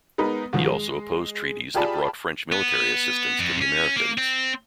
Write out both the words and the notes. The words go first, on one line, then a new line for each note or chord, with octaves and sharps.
He also opposed treaties that brought French military assistance to the Americans.
G#3 B3 D#4 A#4 B4
G#2 D#3 F3
G#3
F4 G4 G#4 D5 A5 B5
B3
F2
C#4
A#3
C4